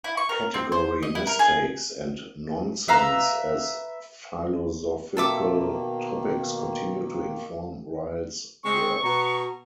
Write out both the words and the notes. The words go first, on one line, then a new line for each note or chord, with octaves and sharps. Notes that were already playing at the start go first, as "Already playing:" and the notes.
Category mistakes and nonsense as philosophical topics continued to inform Ryle's work.
E4
C#6
A#4
C4
C5
D#5
E4
A#4
G#4
B4 E5 F5 A#5
B2 D#3 A#3 A4 E5 D6
G#3 C4 C#6
B2 A#5